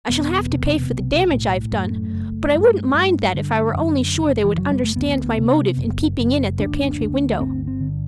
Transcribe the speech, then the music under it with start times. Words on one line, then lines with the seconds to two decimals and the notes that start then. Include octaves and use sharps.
I shall have to pay for the damage I've done, but I wouldn't mind that if I were only sure they would understand my motive in peeping in at their pantry window.
0.09 E1 B3
0.51 C3
0.90 B1
1.31 A2
1.72 F#2 A3
2.13 F#1
2.53 G2
2.94 G2
3.34 D3
3.74 F#2
4.16 F#1
4.45 E3
4.56 F#1 F#3
4.71 G3
4.84 A3
4.96 D2 B3
5.37 C3
5.77 F#1
6.19 F#1
6.59 D2 D4
7.00 D2
7.40 G1 C4
7.67 C4
7.80 D3